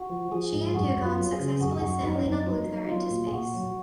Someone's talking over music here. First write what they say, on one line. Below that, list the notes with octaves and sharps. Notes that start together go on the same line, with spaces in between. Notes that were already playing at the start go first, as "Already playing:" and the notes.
She and Dugan successfully sent Lena Luthor into space.
Already playing: F#4
F3
F3 G#4
G#2
F#2 F#4
F#2
F4
F#3
G#4
C#3
F#2 F#4
G#4
F#2 F#4
F#2 D#4
C#4
F#2 D#4
F#3 D#4
F#3
F#3 F4
A#2
G#4
A#2 F#4
F#3